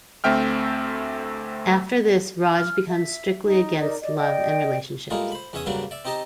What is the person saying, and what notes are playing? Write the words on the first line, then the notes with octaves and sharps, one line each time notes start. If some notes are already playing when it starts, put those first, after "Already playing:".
After this, Raj becomes strictly against love and relationships.
D2 A3 C4 E5 G5 F6
F6
E5
D#4
D#4 A#4 D5 D#5
D5 D#5
D5 D#5 G5
A2 G3 G#3 A#3 F4 G#4
C5 B5
E2 C#4 C#5 E5 G#5 D#6
G2 C#3 F#3 G3 A#3 D4
D5 E5
C4 D#4 G4 D#5 A5 A#5